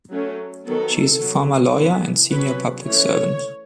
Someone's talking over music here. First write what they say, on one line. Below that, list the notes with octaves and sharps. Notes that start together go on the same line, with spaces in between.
She is a former lawyer and senior public servant.
F#3 A3 C#4
D#3 F#3 B3 A4
F#3 B3
E3 B3
F#3 C#4 B4
E3 A3 C#4 C#5